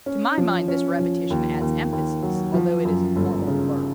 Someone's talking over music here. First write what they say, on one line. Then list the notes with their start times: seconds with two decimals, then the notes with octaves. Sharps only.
To my mind this repetition adds emphasis, although it is a formal blur.
0.06 C#4
0.38 F3
0.68 C#4
0.99 F3
1.30 D#2
1.61 D#2
1.92 D#2
2.23 F#3
2.54 F3
2.85 F#2
3.16 G1
3.47 C#3